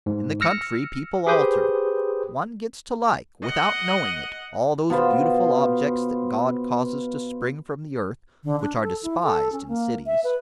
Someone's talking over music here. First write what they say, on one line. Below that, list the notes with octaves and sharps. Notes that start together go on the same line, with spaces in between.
In the country people alter; one gets to like, without knowing it, all those beautiful objects that God causes to spring from the earth, which are despised in cities.
G#2
E6 F6 A#6 C#7
G4 G#4 B4 C5 D#6 G6
D#5 F#5
B2 F4 B4 C5
D3
D4
A4
E4
A4
C#4
A#3
E5
B4